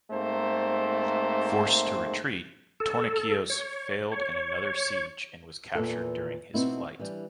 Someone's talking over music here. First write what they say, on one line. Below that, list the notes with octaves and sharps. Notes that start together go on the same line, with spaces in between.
Forced to retreat, Tornikios failed in another siege and was captured during his flight.
G#2 A3 A#3 C4 C5
A4
C#5
C#5
E2 A#2 E3 A4
B2 B3 C4 D#4 E4
E3 G3 D4